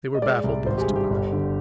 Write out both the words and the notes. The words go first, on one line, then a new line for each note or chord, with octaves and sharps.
They were baffled, those two women.
D#5
G#3 D5
C2
G#1 C5
G4
G#4
G2
G4
G1
D3